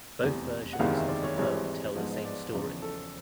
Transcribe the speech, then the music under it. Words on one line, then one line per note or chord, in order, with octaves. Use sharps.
Both versions of the poem tell the same story.
F1 E2 C3
F#5
F#1 E2 C3 D#3 G#3 F5
E5
D5
C#5
G#1 G2 E3 G#3 C4 C#5
G#2 F3 G#3 B3 D#5
D#5
D5
E2 C#3 F3
A4